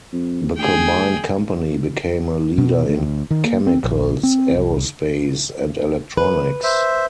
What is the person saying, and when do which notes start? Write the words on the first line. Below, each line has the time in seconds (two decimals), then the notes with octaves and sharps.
The combined company became a leader in chemicals, aerospace, and electronics.
0.13 F2
0.57 D2 G#4 G5
2.58 B2
2.89 D2
3.31 D#3
3.44 A#3
3.67 C4
3.84 A#1
4.23 C4
4.55 C2
6.17 B4
6.64 C5 E5